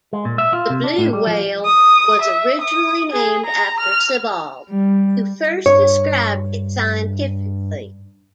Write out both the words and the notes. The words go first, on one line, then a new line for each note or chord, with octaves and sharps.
The blue whale was originally named after Sibbald, who first described it scientifically.
G#3
A#2
E5
F4
C3
D4
A2
G3
F3
D#6
E5
D#6
G#4
A#5
F6
G3
G2 C#5